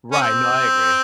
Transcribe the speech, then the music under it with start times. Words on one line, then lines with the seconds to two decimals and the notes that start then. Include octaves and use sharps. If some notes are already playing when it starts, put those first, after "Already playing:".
Right, no I agree.
0.12 C#4
0.21 C4